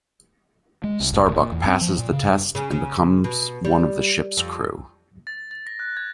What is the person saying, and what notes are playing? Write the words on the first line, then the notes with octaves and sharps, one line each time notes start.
Starbuck passes the test and becomes one of the Ship's crew.
G#3
C2
F1
D1
A#2
E2
C4
F3
A#2
C#3
G2
C#3
C#3
B2
G3
F2
A6
A6
A#6
F#6
G#6